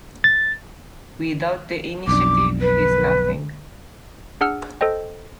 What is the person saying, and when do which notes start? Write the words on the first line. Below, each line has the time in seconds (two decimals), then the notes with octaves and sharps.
Without the Initiative, he's nothing.
0.24 A6
2.08 B1 F2 D4 D6
2.61 B4
4.41 D4 G#4 F#5 E6 F6
4.81 A4 C5 D#5 G5